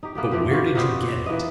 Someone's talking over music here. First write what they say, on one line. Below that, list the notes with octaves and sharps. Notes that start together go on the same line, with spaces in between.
"But where did you get it?"
D#4 G4
A#3 B3 G4
E3 F3 C4 G4
F#4 B4 C5 F5
A#2 B3 G4 C5
E3 A#3 D#5